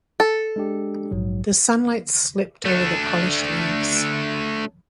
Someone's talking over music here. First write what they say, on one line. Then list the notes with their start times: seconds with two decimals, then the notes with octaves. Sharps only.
The sunlight slipped over the polished leaves.
0.20 A4
0.56 G#3 D4 G4
1.11 A#1 G#2 F#3
2.65 A3 D4